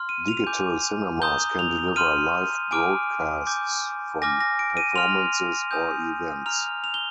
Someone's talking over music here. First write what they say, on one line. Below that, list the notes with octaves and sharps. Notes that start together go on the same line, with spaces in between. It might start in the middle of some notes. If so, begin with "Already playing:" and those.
Digital cinemas can deliver live broadcasts from performances or events.
Already playing: C6 F6
D#7
F7
G#5 D6 G6
A#5 D#6 G6 G7
F7
C6 F6 D#7
G#5 D6 F6 D7
G#5 D6 G6
G#5 D6 F6 A#6
A#6
D7
D#7
C6 F6 F7
G#5 D#6 G6
A#5 F6 F7
F7
G7